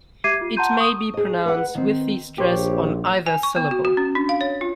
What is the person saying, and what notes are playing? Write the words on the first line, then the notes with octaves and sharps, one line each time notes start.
It may be pronounced with the stress on either syllable.
G4 E5 D6 G#6 C7 D#7
F4
F#5 A5 A#5 C6 G6 D#7
C#6 D#6
G#4 D#5
B4 F#5
D#3 C4
A#1 G4 C5 C#5
G#5
C#6
B3
F#4
F#4
C#4
D4
F5
C#5
F4